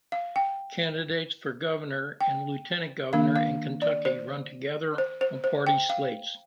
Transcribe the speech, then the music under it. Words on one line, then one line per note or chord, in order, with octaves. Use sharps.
Candidates for governor and lieutenant governor in Kentucky run together on party slates.
F5
G5
G5
D#3 A#3 D4 F5
F5
D5
C5
C5
C5
C5
G5
F5